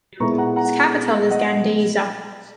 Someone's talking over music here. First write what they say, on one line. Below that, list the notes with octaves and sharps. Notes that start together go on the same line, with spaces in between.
Its capital is Gandesa.
A#2 G#3 B3 E4 A#5 C#6
F#5 A#5
F#5 A#5
D#5 F#5